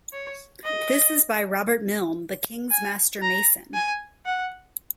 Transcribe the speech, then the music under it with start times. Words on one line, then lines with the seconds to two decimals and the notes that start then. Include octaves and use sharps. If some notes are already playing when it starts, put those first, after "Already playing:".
This is by Robert Mylne the King's Master Mason.
0.13 C#5
0.64 D#5
2.70 G#5
3.22 A#5
3.74 G#5
4.25 F#5